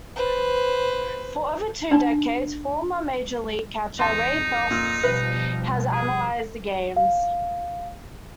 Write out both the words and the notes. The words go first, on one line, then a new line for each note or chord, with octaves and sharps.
For over two decades former major league catcher, Ray Fosse has analyzed the games.
B4 C5
D4 D#4
E2 D#4 A5 C6
F2
A#2
B2 F3 G3 B4
G#4
F5